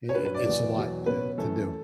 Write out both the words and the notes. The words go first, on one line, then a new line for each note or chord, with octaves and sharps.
i i it's a lot, eh, to do,
C#5
G2 F#3 C#4 B4
B4
D5
E2 B2 F#3 B3 D5
E2 B2 F#3
B2 F#3 C#4 B4
F#2 E3 A3 A4